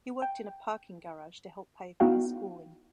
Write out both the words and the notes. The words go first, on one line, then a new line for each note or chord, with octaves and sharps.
He worked in a parking garage to help pay for his schooling.
G5
B3 D#4 E4 F#4 F5 G5